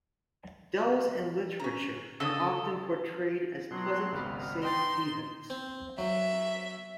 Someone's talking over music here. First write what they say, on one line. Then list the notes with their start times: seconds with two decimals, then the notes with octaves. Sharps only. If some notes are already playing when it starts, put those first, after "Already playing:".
Dells in literature are often portrayed as pleasant safe havens.
1.60 C#4 A#5
2.20 C#3 A4 D#5 D#6
3.71 B2 F#3 C6 F#6
4.12 G#1 C#2 B3 B5 F6
4.63 D#4 D#5 G5 C6 A6
5.50 C4
5.98 F#3 E5